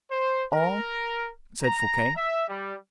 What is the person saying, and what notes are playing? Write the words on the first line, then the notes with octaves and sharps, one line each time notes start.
"All?" said Fouquet.
C5
A#4
A#5
E5
G3